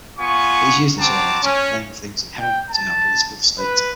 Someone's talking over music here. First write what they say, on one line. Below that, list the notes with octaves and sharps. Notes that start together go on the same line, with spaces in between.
It is useless however, to complain of things inherent in our political state.
B3 F4 G#5 C#6
C4 F#4 A5 A#5 D6
C#4
G5
A5
B4